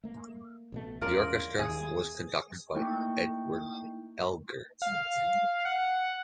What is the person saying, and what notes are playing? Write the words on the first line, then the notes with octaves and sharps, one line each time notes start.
The orchestra was conducted by Edward Elgar.
A3 A#3
A1 B2 A3
E2 C#3 G#3 F4 A#4 D5
D#2 G#4
A3 A#3 D#4 E4 G5 C#6
F5
F#5